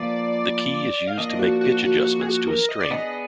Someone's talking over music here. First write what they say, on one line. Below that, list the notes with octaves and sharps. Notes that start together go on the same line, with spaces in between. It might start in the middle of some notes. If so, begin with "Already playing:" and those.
The key is used to make pitch adjustments to a string.
Already playing: F3 A#3 F4 B4 D5
F5
F3 A#3 D4 D#5
F#4
F#4
F#4
F#4
G#4
F#4
A#4
D#5
D5
B3 D4 G#4 B4 D#5